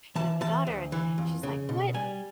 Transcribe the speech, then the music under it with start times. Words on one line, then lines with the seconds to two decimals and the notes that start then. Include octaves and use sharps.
you know, my daughter." She's, like, "What?
0.15 E3 A5
0.41 E3 A5
0.67 D2
0.92 E3
1.18 F2
1.43 C#3
1.69 B2
1.94 G3 G#5